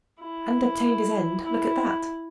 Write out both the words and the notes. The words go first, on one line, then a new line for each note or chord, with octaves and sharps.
"And obtained his end; look at that."
E4
E4